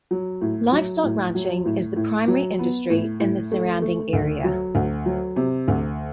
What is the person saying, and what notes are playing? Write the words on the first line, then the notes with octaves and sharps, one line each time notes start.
Livestock ranching is the primary industry in the surrounding area.
F#3
A2
F#3
A2
F#3
A2
A2
F#3
B3
A2
A2
A3
A3
D2
F#3
D2
F#3
C3
D2